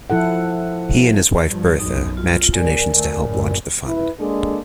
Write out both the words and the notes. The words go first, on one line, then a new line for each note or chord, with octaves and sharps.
He and his wife, Bertha, matched donations to help launch the fund.
F3 E4 A4 F#5
G2 F3
B1 F#2 D#4
F4
B2 A#4 D5 G#5
D2 A3
F#1 A2
E4 B4
G#3 A#3 D4 A4